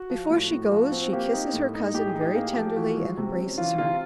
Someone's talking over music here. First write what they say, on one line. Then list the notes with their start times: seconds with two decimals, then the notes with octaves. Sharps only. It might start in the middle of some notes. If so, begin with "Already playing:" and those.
Before she goes, she kisses her cousin very tenderly and embraces her.
Already playing: F#4
0.10 F3
0.30 A2
0.51 A2
0.71 F3
0.92 C4
1.13 A#3 G4
1.33 D#4
1.53 A2
1.74 D#4
1.94 A2 G4
2.08 G#4
2.15 D#4
2.21 G4
2.34 A#3 G#4
2.47 G4
2.56 F3
2.76 E3 F#4
2.97 G#3
3.17 C3
3.37 C#4
3.58 E3 F4
3.78 C3 F4